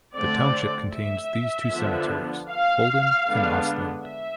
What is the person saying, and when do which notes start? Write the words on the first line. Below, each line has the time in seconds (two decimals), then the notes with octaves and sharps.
The township contains these two cemeteries: Holden and Ostlund.
0.15 D3 A3 C4 D5
0.93 E5
1.71 D3 F3 B3 D4
2.50 F5
3.27 D3 G#3 B3 D4
4.06 E5